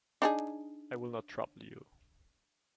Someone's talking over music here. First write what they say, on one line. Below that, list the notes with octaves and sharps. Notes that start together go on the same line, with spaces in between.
I will not trouble you.
D4 D#4 G#4